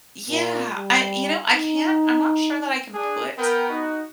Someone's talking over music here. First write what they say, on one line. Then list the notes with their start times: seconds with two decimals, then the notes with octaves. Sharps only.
Yeah. I you know, I can't I'm not sure that I can put
0.29 A#2
0.75 G3
1.52 D#4
2.94 D4 G#4
3.38 B3 A#4 G5
3.68 D#4 F#4